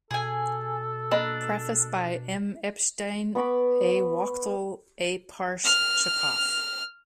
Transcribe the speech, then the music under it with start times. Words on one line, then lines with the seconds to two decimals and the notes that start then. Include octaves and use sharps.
Preface by M. Epshtein, A. Wachtel, A. Parshchikov.
0.11 B2 G#4 A4 G#5
1.11 A#3 D4 D#5 B5
3.35 B3 B5 C#6 D6
5.64 F6